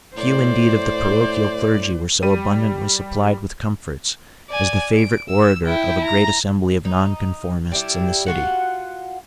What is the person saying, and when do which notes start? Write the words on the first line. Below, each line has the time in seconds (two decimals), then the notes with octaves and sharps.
Few indeed of the parochial clergy were so abundantly supplied with comforts as the favourite orator of a great assembly of nonconformists in the City.
0.16 A2 C5 D5
2.23 G3 D#7
4.49 D5 G#5
4.97 D7
5.29 E6
5.66 E4 G5
6.05 A#5
6.85 D#4
7.72 G3 D4 E4
8.26 F4 F#4 F#5